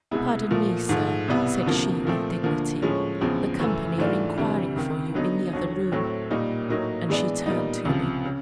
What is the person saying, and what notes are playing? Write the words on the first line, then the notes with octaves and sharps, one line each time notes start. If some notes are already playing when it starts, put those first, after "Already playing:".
'Pardon me, sir,' said she, with dignity--'The company are inquiring for you in the other room.' And she turned to me.
C2 B2 G#3 B3 E4
A#2 F3 A3
G#2 F3 A3
C2 B2 G3 B3 E4
D2 C3 F3 A#3
A#2 F3 A3 C4
D2 D3 F3 A#3
A2 F3 G#3 C#4
E2 C#3 F3 G#3 C4
F#2 C#3 E3 A3
G#2 E3 A3 D4 F4
D2 C3 E3 G3
C#2 C3 D#3
D3 F#3 B3 D#4
D#2 D3 F#3
A2 F#3 A3 C4
A#2 G3 A#3 D#4
A2 F#3 A#3 D#4
G2 E3 G#3 B3 D4
A#2 G3 B3 D#4
C#2 C3 F3
C#3